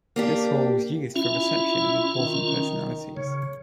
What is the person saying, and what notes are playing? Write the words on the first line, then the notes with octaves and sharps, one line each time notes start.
This hall was used for reception of important personalities.
A#3 D4 G4
C#4 E4 F4
D#3
C#3 C#5